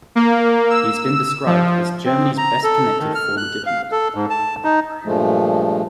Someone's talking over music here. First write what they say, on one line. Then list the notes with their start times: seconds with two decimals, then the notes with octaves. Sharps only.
He has been described as "Germany's best-connected former diplomat".
0.15 A#3
0.70 E6
1.46 F3
2.06 C4
2.38 A#5
2.63 A4
3.00 D#3
3.15 F6
3.37 F#6
3.66 F5
3.92 A4
4.15 G#2
4.30 A5
4.64 D#4
5.05 G2 A#2 F3 G#3 A3